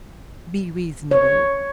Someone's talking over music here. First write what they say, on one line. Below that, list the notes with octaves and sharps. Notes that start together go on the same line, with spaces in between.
Be reasonable.
C#5